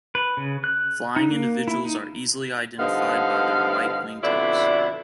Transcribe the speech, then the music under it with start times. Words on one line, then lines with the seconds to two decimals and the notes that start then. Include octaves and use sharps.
Flying individuals are easily identified by their white wingtips.
0.15 B4
0.37 C#3
0.64 F#6
1.16 D#4
1.30 A#3
1.68 E4
1.85 D#4
2.79 G2 D3 F3 B3 D#4 F5
4.22 F2 B2 D3 E4 D5